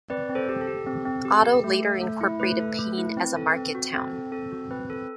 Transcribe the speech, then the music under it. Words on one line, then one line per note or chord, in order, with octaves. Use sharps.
Otto later incorporated Peine as a market town.
C4 B4 D5
C4
A4 C5
G4
A4
G4
C4
C4
G4
G4
A3
A4
A3
E4
A3 B4
A4
A3
E4
C4
A4
C4
F#4
C4 A4
A4
C4 A4
F#4
C4 B4
A4